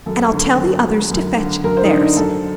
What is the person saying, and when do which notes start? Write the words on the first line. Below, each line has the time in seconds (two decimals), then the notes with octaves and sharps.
And I'll tell the others to fetch theirs.'
0.06 F#2 A4
0.32 D3
0.58 F#2
0.85 D3
1.11 F#2
1.37 D3
1.64 F#2 A#4
1.77 C5
1.84 D#4
1.90 D3 D4
2.03 D#4
2.17 F#2 A4